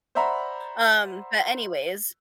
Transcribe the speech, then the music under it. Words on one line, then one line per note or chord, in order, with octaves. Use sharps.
um, but, anyways
C5 D5 E5 F#5 A#5 B5